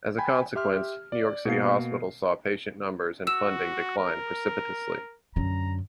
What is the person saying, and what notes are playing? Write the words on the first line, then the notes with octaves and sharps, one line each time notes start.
As a consequence, New York City hospitals saw patient numbers and funding decline precipitously.
G5 G#5 B5
G4 E5 C6 F6
D5
B2 A#3 F5 C7
F#4 E6 E7
A#4
F#2 D3 A#5